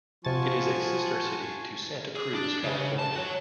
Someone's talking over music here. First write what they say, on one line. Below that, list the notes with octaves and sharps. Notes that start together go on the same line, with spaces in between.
It is a sister city to Santa Cruz, California.
C3 F3 F4 F#4 G#5 A5 C#6 A6
G#4
D4
C#3
A5
F#4 C#5